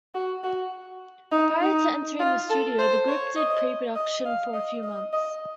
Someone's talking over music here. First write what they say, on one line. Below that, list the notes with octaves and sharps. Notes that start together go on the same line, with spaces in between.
Prior to entering the studio, the group did pre-production for a few months.
F#4
F#4
D#4
D#4
F4
A4
C5
C#5
D#5
D#5
F5
D#5
D#5
D#5